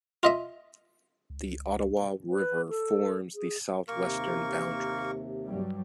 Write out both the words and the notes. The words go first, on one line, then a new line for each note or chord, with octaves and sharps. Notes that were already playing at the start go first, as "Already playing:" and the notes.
The Ottawa River forms the southwestern boundary.
F4 D#5 E5
C#2
B4
A4
G#4
D#2 C3 A#3 A#4 C#6
G2 F#3 G3